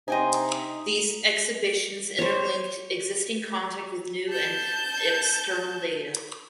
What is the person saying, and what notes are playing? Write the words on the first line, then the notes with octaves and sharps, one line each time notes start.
These exhibitions interlinked existing content with new and external data.
C3 D#4 D#5 G5 G#5 C6
C5 C#5
A5 G6